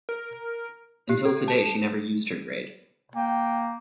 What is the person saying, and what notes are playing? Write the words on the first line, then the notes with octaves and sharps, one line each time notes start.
Until today she never used her grade.
A#4
G4
A4
A5
A#3 G5